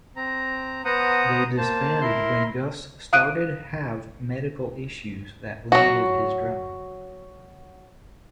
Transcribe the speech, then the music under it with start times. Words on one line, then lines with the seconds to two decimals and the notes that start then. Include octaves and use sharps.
They disbanded when Gus started have medical issues that limited his drumming.
0.16 C4 A#5
0.85 B3 C5 F#5 A#5 D#6
1.57 A#3 C5 A5
2.01 E4 A#4 C6
3.13 F5 D#6 F#6 D7 D#7
5.72 F#3 F#4